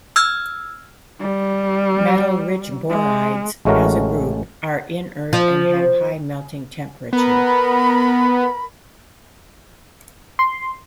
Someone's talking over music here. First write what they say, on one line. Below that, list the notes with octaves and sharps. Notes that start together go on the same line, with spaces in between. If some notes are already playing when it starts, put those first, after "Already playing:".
Metal-rich borides, as a group, are inert and have high melting temperature.
E6 F6 G#6
G3
G#3
A1 G#3 A3 C#4 F#4 A#4
F3
B3 A#4 B5
C6